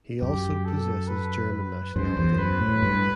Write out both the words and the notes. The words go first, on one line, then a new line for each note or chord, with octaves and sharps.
He also possesses German nationality.
F#2 G4
A4
B4
B4
F#2 C5
E2
F#2 B4
A2
G2